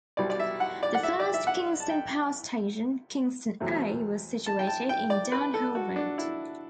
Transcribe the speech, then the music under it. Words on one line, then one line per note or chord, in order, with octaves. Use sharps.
The first Kingston power station, Kingston A, was situated in Down Hall Road.
C2 B2 G3 D5
D5
E5
F#5
D5
F#5
E5
D5
E5
F#5
A5
G5
E2 C3 F#3 A3
A5
G5
A5
G5
D5
B4
A4
F#4
D4
E4